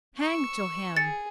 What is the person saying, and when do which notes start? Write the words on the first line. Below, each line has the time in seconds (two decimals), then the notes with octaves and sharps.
Hang to him!
0.19 C#6 E6
0.97 G#4 A6 C#7